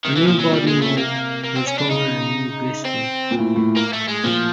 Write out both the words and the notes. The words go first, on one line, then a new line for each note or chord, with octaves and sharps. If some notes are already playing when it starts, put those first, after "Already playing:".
Her new body mold was taller and more graceful.
C3 D#3
E3
A#2 F3
F#3
A#2 G3
A#2
G#3
C3 A3
A#3
A#3
C4
C#4
D4
C#3 D#4
C4
A#2
A2
A2
A#3
A3
G#3
A#2 F3